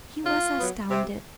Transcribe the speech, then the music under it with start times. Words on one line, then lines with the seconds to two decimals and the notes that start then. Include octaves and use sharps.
He was astounded.
0.24 C#3 F4
0.58 F#3 B3
0.91 C3